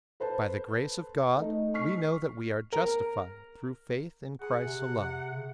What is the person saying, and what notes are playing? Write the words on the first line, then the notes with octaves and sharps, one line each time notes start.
By the grace of God we know that we are justified through faith in Christ alone.
A4 B4 C5 A5
A3 D#4 D#5
C#6 F6 B6 C7
A#4
G#4 F#5
C3
C#3